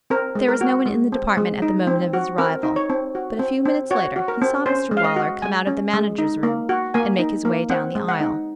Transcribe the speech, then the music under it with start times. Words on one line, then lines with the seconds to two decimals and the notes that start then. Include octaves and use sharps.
There was no one in the department at the moment of his arrival; but a few minutes later he saw Mr Waller come out of the manager's room, and make his way down the aisle.
0.10 C4 A#4
0.35 G#3
0.48 A#4
0.61 F#4
0.86 G#3
1.12 C4
1.37 G#3
1.62 D#4
1.87 C4
2.13 F#4
2.38 C4 A#4
2.63 D#4
2.76 C#5
2.90 C4
3.15 F#4
3.39 C4
3.65 C4
3.91 F#4 C#5
4.16 F#4
4.28 A#4
4.42 C4
4.66 C#4 C5
4.91 G#3
4.97 F5
5.04 D#5
5.16 F#4
5.42 G#3 G#5
5.67 C#4
5.94 G#3
6.18 D#4
6.43 A#3
6.69 F#4
6.94 A#3 G#5
7.19 D#4
7.45 A#3
7.70 C4 F#5
7.95 G#3
8.09 F#5
8.20 D#4